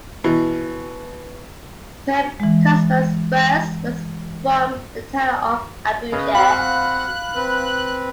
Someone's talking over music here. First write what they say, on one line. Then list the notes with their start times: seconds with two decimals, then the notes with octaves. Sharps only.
Pope Cosmas I was from the town of Abu-Sair.
0.24 B2 E3
2.40 E3 G#3
6.12 C#3 B4 D#5
6.35 C4 F#4 F5 F#5 B5 F#6
7.35 C4 B4